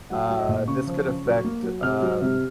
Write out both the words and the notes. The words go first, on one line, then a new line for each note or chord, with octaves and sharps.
uh, "This could affect, um
F#3 F#5
F#3
D#5
A#2
C#3 C#6
F3
C#3
F#3
A#3
F#3
C3 F6
F#3
C3